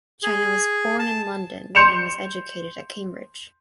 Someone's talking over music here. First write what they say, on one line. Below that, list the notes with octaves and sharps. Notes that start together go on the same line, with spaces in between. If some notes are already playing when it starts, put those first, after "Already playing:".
China was born in London and was educated at Cambridge.
G#4
A5
C6 G6 C#7 E7 F7